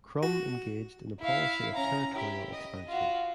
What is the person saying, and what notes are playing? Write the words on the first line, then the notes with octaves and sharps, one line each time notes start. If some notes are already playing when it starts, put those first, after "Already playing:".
Krum engaged in a policy of territorial expansion.
F#4
E4 F5
C#4 A#5
E4 G4
D#5
F4 F#4